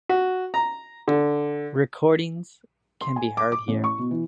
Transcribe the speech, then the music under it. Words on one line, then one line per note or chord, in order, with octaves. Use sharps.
Recordings can be heard here.
F#4
A#5
D3
C6
G#5
D6
D6
A1
C#6
B2
E3